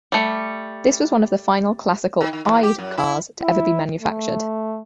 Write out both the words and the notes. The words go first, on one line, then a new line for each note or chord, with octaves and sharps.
This was one of the final classical "eyed" cars to ever be manufactured.
G3 A3
D#3
D#3
E2
G4
F#2
E4
E4
A3